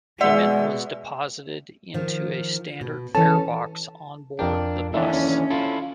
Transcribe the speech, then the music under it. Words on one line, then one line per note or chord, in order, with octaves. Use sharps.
Payment was deposited into a standard farebox on board the bus.
B2 G#3 D5 E5 F#5
D#3 F3
B2
E3 C#4 A4 A5
F2 D4 A#4 G5
D#2 D3 E3 C#4 D4 E5
E4 F4 A4